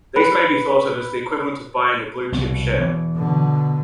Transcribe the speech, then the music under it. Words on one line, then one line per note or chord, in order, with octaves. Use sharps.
These may be thought of as the equivalent of buying a blue chip share.
B4
C2 B2 B3
E3 B3
B2 D3